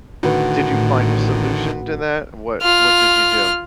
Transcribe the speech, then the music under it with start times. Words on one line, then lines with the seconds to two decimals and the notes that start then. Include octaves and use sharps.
did you find a solution to that? What what did you do?
0.23 A2 D3 D#3 F#4 B4
0.68 A1
2.62 F4 F6